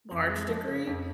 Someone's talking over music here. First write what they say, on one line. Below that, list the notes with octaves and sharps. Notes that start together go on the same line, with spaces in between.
large degree,
F2
G#3
F3
C#3
F2